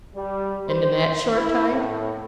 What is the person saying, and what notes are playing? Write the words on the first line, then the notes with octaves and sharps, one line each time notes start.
And in that short time!
G3
C5
E4
A2